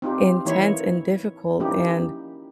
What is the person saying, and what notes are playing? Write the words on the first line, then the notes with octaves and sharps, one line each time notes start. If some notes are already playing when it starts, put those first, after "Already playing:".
intense and difficult, and
C4 D#4 F4 G4
E3 A#3 D#4 E4 C#5
F3 A#3 C#4 D#4 E4 G4